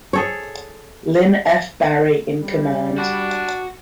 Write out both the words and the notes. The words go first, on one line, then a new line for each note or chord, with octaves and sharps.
Lynn F. Barry in command.
G#4 A4 C#5
G3
D4 F#4